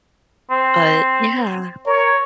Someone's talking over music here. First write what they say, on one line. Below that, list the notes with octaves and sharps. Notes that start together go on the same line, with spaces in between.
but yeah.
C4
A#4 C#5